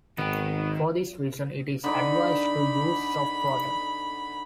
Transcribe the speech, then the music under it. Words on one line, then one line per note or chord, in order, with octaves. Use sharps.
For this reason, it is advised to use soft water.
G#1 D#3 B3 G5
D3 D#4 D5 B5